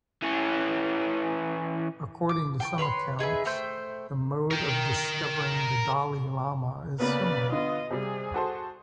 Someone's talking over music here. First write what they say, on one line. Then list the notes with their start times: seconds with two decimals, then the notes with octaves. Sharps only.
According to some accounts, the mode of discovering the Dalai Lama is similar.
0.22 E3 C#4
2.29 D6
2.60 G5 A5 C#6
2.78 B4 C#5 E5 C6
3.19 D#4 G#4 B4 E5
3.45 A3 C5 G5
4.51 A#4 G5
7.00 C#3 A#3 B3 B4 D5
7.52 D3 B3 F4 D#5
7.90 C3 G3 G#4
8.34 F#4 A4 C5